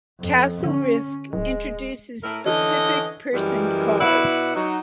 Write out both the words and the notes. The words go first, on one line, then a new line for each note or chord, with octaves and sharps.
Castle Risk introduces specific person cards.
F2
D3 C#4
D1 G#3
A2 E4 A#4
D3 E3 C#4 D#5
F#2 E3 G3 G#3 A#4
B2 E4 B4 D5 F#5
F#3 D#4